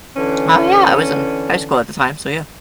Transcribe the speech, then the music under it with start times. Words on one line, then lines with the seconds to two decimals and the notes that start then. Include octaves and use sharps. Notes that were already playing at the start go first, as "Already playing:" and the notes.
Oh yeah, I was in high school at the time so, yeah.
0.16 D3 E3 C#4